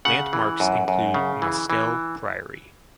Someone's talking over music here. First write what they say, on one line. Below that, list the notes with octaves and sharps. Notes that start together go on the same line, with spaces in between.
Landmarks include Nostell Priory.
C#3 F#5
E3
F#2
F#2
C#3
E3
E3